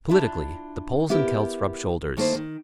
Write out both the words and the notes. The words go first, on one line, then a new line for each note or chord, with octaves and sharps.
Politically the Poles and Celts rub shoulders.
D4 E4 F4 E5
B3 E4 G4 A#4
D#3 A3 A#3 E4 C5
D#3